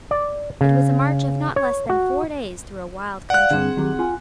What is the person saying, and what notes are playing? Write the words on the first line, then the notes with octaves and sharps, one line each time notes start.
It was a march of not less than four days through a wild country.
D5
C#3
C#5
F#4
D5 F5 F#5 F#6
G2 D3 C4 G#4
D#3 F#3 G4
F4 G#5